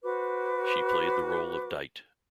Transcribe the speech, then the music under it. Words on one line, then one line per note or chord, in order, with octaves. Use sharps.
She played the role of Dite.
F#4 B4 C5 D6